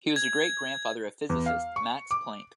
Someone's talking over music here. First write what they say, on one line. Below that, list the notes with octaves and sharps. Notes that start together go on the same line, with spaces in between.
He was the great-grandfather of physicist Max Planck.
G#6
E2
F5
C#6
D6